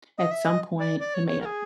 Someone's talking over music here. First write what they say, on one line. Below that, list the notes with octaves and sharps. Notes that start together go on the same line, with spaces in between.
at some point, it may not
D#5
E5
D#5
D5
D5
C#5
C#5
A#4
G#4